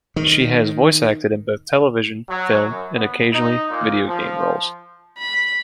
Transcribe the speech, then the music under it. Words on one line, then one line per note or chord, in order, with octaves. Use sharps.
She has voice acted in both television, film and occasionally video game roles.
D#3
F#3
F#2
B3
D#4
A#2
F3
B5